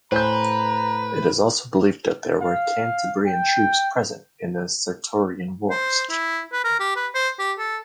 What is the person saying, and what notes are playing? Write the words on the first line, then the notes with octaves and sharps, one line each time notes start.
It is also believed that there were Cantabrian troops present in the Sertorian Wars.
A2 B4 C5 G#5 A#5 G6
F5
G5
C5
E4
B4
A#4
G4
B4
C5
G4
A4